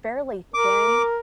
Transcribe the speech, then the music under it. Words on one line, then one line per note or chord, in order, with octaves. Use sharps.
fairly thin
A#4 D6